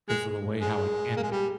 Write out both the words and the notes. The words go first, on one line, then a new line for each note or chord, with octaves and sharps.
'cause of the way how it ended.
G#3
G#3
A#3
G#3
G3